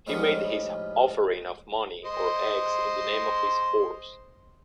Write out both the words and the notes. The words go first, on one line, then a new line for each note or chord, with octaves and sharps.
He made his offering of money or eggs in the name of his horse.
A2 D#3 F3 G3 G#3 B3
C5 D#5 C6